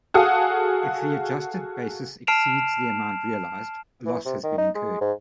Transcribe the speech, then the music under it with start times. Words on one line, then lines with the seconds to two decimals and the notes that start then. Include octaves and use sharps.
If the adjusted basis exceeds the amount realized, a loss has been incurred.
0.14 F#4 G#4 A4 F5 F#5 D#6
2.27 A5 F6 C7 D7 E7 F7
4.06 E3
4.25 C3
4.43 D#3
4.58 D#4
4.75 G#3
5.01 G#2